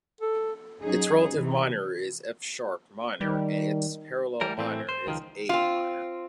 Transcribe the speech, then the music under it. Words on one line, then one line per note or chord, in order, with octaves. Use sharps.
Its relative minor is F-sharp minor and its parallel minor is A minor.
A4
F#3 C#4 D#4 G#4
C3 E3
D#3 G3
E3 G3 A#4
A2 E3 A3 C4
C5
C#2 D#3 F3
C4 F4